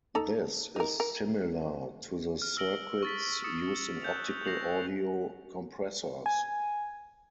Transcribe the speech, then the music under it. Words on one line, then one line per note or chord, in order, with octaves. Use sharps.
This is similar to the circuits used in optical audio compressors.
D#4 A4 A#5
D#4 A#4
A#4
F6
E6 F6 A#6 D7 F#7 G7
C#6 A6 B6
C#6 D#6 E6 A6 C#7 E7
F#6 G6 F7
A#6 C7 F7 F#7
G#5